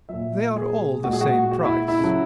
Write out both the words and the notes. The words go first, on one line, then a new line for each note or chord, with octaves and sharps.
"They are all the same price."
A#2 F#3 E5
G#4
A#2 G#3 F#4
G#4
F#4
F#4
E4
E4
C#3 F#3